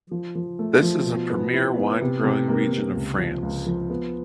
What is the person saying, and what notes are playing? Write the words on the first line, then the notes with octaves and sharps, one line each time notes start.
This is a premier wine-growing region of France.
F3
F3
A3
F3
B2
B3
E4
B3
C3
C3
A#3
C3
C#2
F3
C#2
F3
B3